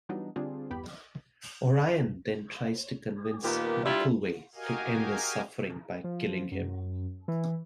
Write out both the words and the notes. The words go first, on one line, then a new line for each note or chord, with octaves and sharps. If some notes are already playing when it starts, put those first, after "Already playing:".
O'Ryan then tries to convince Mackelway to end his suffering by killing him.
E3 F#3 G3 B3 D4 D#4
D3 G3 C4 D4 F4 G#4
G1 E2 B3 G4 B5
A#2 D#3 A#3 B3 G4
G3 D4 E4 F4
F#4 G4 A#4 D#5 F5 G#5
F3
F#2
E3